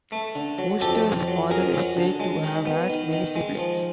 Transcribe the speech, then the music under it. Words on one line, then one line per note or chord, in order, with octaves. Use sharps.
Wooster's father is said to have had many siblings.
A3
D3
F#3
F2 G4 A4
F2
F#3
F2 G#4 A#4
F#3
D3
G#3
D#3
B3
D#3
D#3
G#3
F3